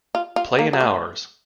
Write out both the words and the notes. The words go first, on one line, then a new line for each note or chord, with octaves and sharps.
Play in ours.
F4
F4
A#3
F#3
A3